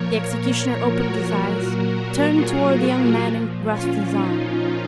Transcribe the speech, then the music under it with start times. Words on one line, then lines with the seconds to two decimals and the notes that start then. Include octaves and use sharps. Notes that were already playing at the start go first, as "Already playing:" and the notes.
The executioner opened his eyes, turned toward the young man and grasped his arm.
Already playing: A#2 F3 A#4 C#5
0.93 F#4 A#4
1.38 A#2 F#3 F#4 A#4
2.31 F4 G#4
2.76 F4 G#4
3.22 A#2 F3
3.68 C#4 F4
4.13 D#4